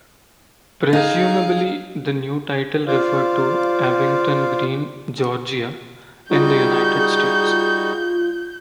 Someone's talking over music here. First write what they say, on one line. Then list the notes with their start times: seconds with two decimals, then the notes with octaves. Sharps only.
Presumably the new title referred to Abington Green, Georgia, in the United States.
0.93 D#4 G#4 F5
2.87 F4 C5 D5 F5
6.31 G3 D#4 F4 F#4 G#4 G6